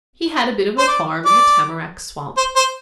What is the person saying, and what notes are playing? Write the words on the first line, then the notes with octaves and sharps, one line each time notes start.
He had a bit of a farm in the tamarack swamp.
C5
D5
D5
C5
C5